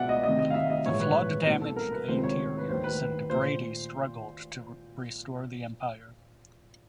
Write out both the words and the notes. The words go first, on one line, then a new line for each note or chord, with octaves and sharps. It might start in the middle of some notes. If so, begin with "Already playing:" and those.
The flood damaged the interiors and Brady struggled to restore the Empire.
Already playing: C#2 B2 D5 E5 F#5
D#5
D2 C3 D#3 D#5
D#5
F5
E5
D#5
A#1 G#2 E3 C#5
B4
B4
C2 B2
A4
A#4
B4
C#2 C3 D#3 C5
C#5
B4
D#2 D#3 C5
B4
A#2 C5